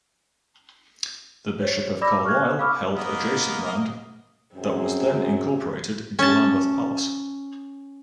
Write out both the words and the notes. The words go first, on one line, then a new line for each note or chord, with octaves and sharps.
The Bishop of Carlisle held adjacent land that was then incorporated into Lambeth Palace.
C5 C#5
D5 B5 D6 E6 A#6
C#6 F6 F#6 G#6
F5 B5 C#6 D6 E6 F6
A#3 B3 D#5
F#2 C4 G#4
C#4 A5